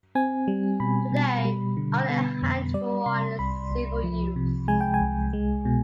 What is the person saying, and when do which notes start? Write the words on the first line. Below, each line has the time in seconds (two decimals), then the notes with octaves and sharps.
Today only a handful are in civil use.
0.15 C4 G#5
0.48 G3
0.80 B2 B5
1.12 B2
1.44 G3
1.77 D3
2.10 B3
2.42 F2
2.74 G3 D5
3.06 C3 C6
3.39 C2 B5
3.71 C2
4.03 F3
4.36 C3
4.68 G#3 G#5
4.81 G5
4.94 G#5
5.01 C2
5.33 G#3
5.65 B2